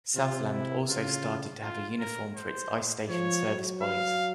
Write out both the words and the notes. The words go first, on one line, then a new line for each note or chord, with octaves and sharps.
Southland also started to have a uniform for its ice station service boys.
C3 F4
E4
C#3 F4
F4
A#4
C5
F3 C#5
F#3
F5